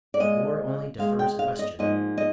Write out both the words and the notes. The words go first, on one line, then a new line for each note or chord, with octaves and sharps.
War only defers a question.
D5
A#2 G#3 D#5
A#2 G#3 F5
G5
F5
D#5
G#2 F3 A#3 D#5
D#5